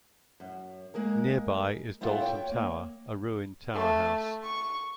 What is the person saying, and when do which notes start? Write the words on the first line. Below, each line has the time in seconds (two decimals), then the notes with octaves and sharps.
Nearby is Dalton Tower, a ruined tower house.
0.40 F#2
0.94 G#3 A#3 G#4 A#4
2.01 G3 B3 C4 E4 F4 A4
2.21 C#5 G5
2.52 A#3
3.74 A3
4.44 C#6